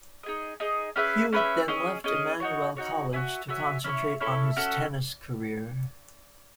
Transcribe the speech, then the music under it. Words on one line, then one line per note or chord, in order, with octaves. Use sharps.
Hewitt then left Immanuel College to concentrate on his tennis career.
D#4 G#4 D#5
D#4 G#4 D#5
C#4 G#4 B4 E5
C#4 G#4 B4 E5
C#4 G#4 D#5
C#4 G#4 D#5
D#4 F#4 C#5
D#4 F#4 C#5
F#4 C#5 E5 G#5
F#4 C#5 E5 G#5
C#4 E4 A4 C#5
C#4 E4 A4 C#5
C#4 F#4 A4